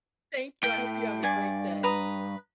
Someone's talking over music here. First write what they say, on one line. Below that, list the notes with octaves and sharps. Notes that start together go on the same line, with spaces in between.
thank you, I hope you have a great day.
A2 G5
G2 D5 G#5
B4 A#5 D#6